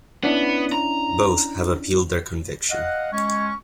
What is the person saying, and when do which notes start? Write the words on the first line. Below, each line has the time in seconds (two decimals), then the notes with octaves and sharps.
Both have appealed their conviction.
0.23 B3 C#4 D4 E4
0.72 A#5
2.71 D#5 F5 F#5
3.12 G#3 C#4 C#6